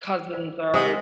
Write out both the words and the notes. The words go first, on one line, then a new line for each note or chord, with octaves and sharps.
cousins are
C5 D5
C3 G#3 D#5 F#5 D#6